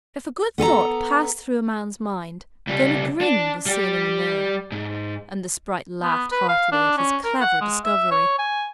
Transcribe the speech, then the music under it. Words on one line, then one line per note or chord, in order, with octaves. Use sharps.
If a good thought passed through a man's mind, then a grin was seen in the mirror, and the sprite laughed heartily at his clever discovery.
B3 A4 G#5 A#5
C#2 G3
D4
G3 G4
G#2
B3
B4
F5
D4
C#4
A#4
F#5
G#3
E5
C#5
G#5